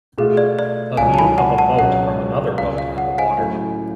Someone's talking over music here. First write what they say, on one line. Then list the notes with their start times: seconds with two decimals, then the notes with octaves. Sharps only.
A view of a boat from another boat on the water.
0.18 B2 A3 F4 G#4
0.37 D5
0.59 D5
0.97 C#2 B2 F#3 F5 G#5
1.14 A5
1.19 G#5 B5
1.38 F#5 A5
1.58 F#5 A5
1.78 C#2 B2 F#3 C#4 F#5
2.58 C#2 C#3 G#3 F5
2.78 F5
2.98 F#5
3.18 F5 G#5
3.38 A2 F#3 C#4